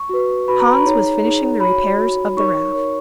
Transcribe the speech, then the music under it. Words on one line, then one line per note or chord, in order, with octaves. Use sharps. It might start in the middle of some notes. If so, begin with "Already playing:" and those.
Hans was finishing the repairs of the raft.
Already playing: C#6
F#4 B4
F#4 B4 B5
A#5
B5
D#4 G#4 C#5 A#5
D#4 G#4 C#5
F#4 C#5 B5
F#4 C#5
D#4 A#4 C#5 C#6
D#4 A#4 C#5